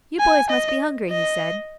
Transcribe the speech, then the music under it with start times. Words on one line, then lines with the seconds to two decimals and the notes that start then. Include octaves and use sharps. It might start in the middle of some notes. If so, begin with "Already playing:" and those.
'You boys must be hungry,' he said.
0.20 G#5
0.50 D#5
1.10 D#5